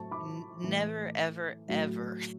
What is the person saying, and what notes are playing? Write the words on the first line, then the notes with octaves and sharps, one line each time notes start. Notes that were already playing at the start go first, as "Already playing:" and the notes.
n never ever, ever
Already playing: A2 F#3 A3 A5 C#6
B5 D6
A2 E3 A3
A2 F#3 A3